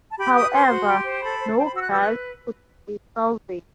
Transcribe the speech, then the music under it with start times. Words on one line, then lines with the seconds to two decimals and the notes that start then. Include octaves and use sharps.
However, no glyphs could be salvaged.
0.11 A5
0.18 G4 B5
0.35 B4 D#6
0.52 C5 C6
0.70 F#4
0.87 G4
1.04 C5
1.22 A4 B5
1.39 C5
1.57 C5 G5
1.65 B5
1.74 F#4 E6
1.83 F#6
1.91 B4 E6
2.00 F#6